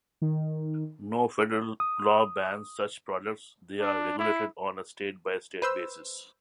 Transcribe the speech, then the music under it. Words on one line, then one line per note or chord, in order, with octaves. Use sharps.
No federal law bans such products; they are regulated on a state-by-state basis.
D#3
D#6
D4
E4
B4 C5 E6